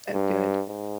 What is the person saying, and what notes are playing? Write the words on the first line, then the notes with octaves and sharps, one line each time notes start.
That good.
G2
G#2